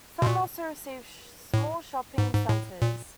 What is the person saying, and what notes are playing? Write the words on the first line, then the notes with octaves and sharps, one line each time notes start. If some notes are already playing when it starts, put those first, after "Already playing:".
Some also received small shopping centers.
B2
A#2
A2
G#2
G#2
A2
A#2